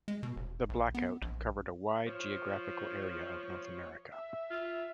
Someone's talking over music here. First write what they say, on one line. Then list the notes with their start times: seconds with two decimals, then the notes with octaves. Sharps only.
The blackout covered a wide geographical area of North America.
0.08 G#3
0.23 B2
0.36 E1
0.69 A#1
0.95 B3
1.22 A#1
2.07 F3 C#5
4.12 E5
4.50 F4